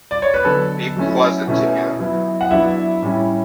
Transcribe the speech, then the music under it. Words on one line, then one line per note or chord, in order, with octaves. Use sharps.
Be pleasant to him.
D5
C#5
B4
D3 F#3 B3 A4
F#3 A3 C#4 E4
B2 A3 C#4 E4
F#3 B3 E4
F#5
F#3 B3 D4 E4 E5
A2 G3 C#4 E4